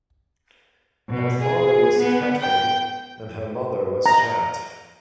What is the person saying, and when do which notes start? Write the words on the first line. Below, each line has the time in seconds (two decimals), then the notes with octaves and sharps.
Her father was Khatri, and her mother was Jatt.
1.09 B2
1.41 G#4
1.99 B3
2.41 G5
4.06 A#5